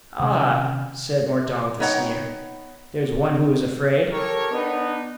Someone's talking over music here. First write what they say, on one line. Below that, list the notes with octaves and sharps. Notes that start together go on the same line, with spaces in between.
"Ah!" said Mordaunt, with a sneer, "there's one who is afraid."
C3 D#3 C#4
B3 D#4 C#5 D#5 F#5 G5
G4 A4 A#4 C#5
B3 D4 D#4